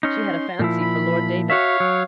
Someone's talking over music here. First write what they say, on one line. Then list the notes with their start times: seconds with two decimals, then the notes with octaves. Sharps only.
She had a fancy for Lord David.
0.03 C#4 D#4 C6
0.59 A#2 F3 E4
0.81 B5
1.50 F#4 C#5 E5 F5
1.80 F#3